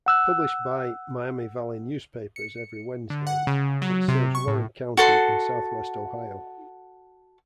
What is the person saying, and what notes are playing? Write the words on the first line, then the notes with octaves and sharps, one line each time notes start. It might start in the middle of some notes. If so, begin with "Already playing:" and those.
Published by Miami Valley Newspapers every Wednesday, it serves Warren County and southwest Ohio.
F#5 E6 F#6
C#7
D3
F#5
C#3
F#3
C3
C#6
A2
F#4 A4 C6